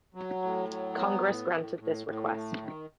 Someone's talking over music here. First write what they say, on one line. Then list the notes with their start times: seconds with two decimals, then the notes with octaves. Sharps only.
Congress granted this request.
0.15 F#3
0.42 A2
0.69 F#3
0.97 B3
1.25 A2
1.52 A2
1.79 A2
2.07 A2
2.35 A3
2.62 D#3